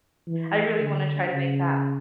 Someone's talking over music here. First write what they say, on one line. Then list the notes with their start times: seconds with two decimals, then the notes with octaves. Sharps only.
I really wanna try to make that.
0.28 E3
0.79 D3
1.31 C#3